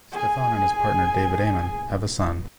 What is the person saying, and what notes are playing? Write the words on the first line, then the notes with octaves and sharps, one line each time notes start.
Stefan and his partner David Amen have a son.
G#4 G#5